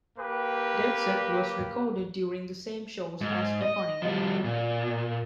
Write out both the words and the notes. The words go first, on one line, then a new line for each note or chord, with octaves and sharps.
"Dead Set" was recorded during the same shows as "Reckoning".
A#3 G4 B4
G#2
D#5
F3 G3
A#2